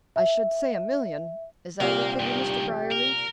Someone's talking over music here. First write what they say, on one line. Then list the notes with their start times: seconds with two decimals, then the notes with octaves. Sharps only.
"I should say a million; is that your figure Mr. Brierly."
0.16 E5
1.80 C2 A#2 G4 A#4 F5
2.20 G2 D#3
2.91 A#4